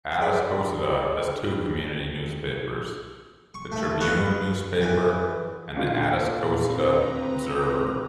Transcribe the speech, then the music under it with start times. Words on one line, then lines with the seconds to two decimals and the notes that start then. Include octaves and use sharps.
Atascocita has two community newspapers, "The Tribune Newspaper" and "The Atascocita Observer".
0.22 G#4 D5 G5 B5
3.54 C#6
3.72 A3 E5
4.00 B4 F5 C#6 D#6
4.81 E2 E3
5.77 A#2 D4 F4 A4
6.56 C4 B4 A#5